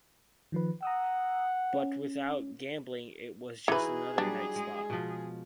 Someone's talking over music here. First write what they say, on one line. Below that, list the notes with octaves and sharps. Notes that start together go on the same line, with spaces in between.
But without gambling, it was just another nightspot.
D#3 F3 B4
F#5 A#5 D#6 E6
C#4
E3 D#4 E4 F#4 G#4 B4
F#3 G3 D4
G#3
B2 F3